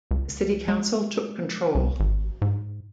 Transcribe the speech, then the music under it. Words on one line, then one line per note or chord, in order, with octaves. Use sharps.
The City Council took control.
C#2
G#3
C2
G#1
G#2